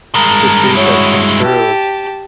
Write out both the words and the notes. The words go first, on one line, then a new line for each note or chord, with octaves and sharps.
to prove that it's true."
G2 G#3 A#4 A5 A#5
E4 F#4 C#5
G4 A5